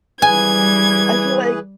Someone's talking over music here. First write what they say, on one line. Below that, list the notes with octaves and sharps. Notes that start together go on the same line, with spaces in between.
I feel like
E3 G3 G#4 B4 G#5 G#6